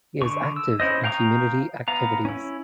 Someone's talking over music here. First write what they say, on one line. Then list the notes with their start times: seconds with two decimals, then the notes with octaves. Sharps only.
He is active in community activities.
0.22 D3 C#6
0.56 E6
0.80 C#4 E4 C5 D#5
1.04 F5 G5 A#5 C#6 D#6
1.88 B3 F5 A#5
2.25 C#4 E4